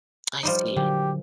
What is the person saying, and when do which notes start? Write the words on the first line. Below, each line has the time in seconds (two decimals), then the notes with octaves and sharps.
I see.
0.43 F3 G3 D#4
0.76 A#2 D3 F#3 G4